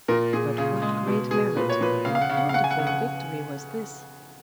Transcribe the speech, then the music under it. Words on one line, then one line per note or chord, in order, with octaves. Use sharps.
But what great merit, what wonderful victory was this?
A#2 A#4
A#2 G#4
C#3 G#4
G#3
B2
B2 G#4
A#2 B4
C#5
A#2 B4
C#3 F5
F5
F#5
C#3
F#5
F5
C#3 F#5
G#5
F#5
C#3
F#5